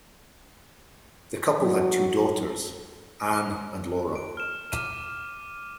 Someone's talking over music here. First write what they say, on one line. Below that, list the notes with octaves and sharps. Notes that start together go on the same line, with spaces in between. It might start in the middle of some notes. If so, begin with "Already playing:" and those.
The couple had two daughters, Anne and Laura.
F#3
F#6
D7
F6 E7
D6 F6 D#7 E7